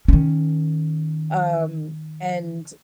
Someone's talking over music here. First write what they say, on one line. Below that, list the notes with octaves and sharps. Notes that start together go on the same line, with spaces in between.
um, and
D#3 C#4